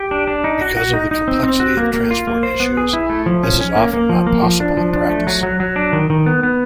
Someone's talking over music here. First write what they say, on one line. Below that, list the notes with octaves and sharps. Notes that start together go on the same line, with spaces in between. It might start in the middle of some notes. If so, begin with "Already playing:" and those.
Because of the complexity of transport issues, this is often not possible in practice.
Already playing: G4
D4
D4
D#4
F#4
F#4
D#4
D#4
C4
C4
F#4
A#3
A#3
F4
A#3
C5
B3
G#4
E4
A3
F3
C#4
C#4
A#3
A#3
F3
A#3
F3
D4
F3
D4
A3
F#3
F#3
F#3
D4
D#3
D#3
B3
B3